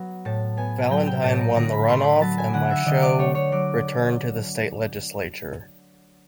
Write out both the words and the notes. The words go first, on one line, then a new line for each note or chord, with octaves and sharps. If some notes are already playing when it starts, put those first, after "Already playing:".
Valentine won the runoff, and Michaux returned to the state legislature.
Already playing: F#3 B3
A2 A5
B3 G#5
F#3 G5
G5
A2 A5
A#5
D3 A#5
B5
A3 C6
B5
F#3 A5
G#5
D3 F#5
E5
D3 D#5
D5
A3 C#5
C#5
F#3 D5